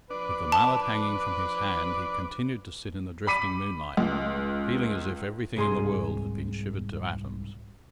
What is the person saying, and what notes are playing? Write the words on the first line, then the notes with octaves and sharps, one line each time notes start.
With the mallet hanging from his hand he continued to sit in the drifting moonlight, feeling as if everything in the world had been shivered to atoms.
F3 D4 B4 D5
A5
B5 D6 B6 D#7
C#2
C2 G#2 G#4 A#5 C6